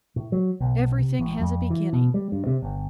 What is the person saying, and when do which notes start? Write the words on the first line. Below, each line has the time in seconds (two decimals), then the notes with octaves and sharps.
Everything has a beginning.
0.16 A2
0.32 F#3
0.60 B1
0.98 C3
1.19 A1
1.41 F2
1.70 E3
1.93 B2
2.14 G3
2.32 G2
2.47 C3
2.62 G1